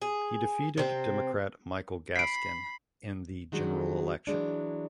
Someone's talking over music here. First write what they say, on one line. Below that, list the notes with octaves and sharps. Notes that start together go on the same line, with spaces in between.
He defeated Democrat Michael Gaskin in the general election.
G#4
C3 C4
B5 B6 C7 D7
D#3 F#3 G#3 D4 F#4
E3 F#3 G#3 D4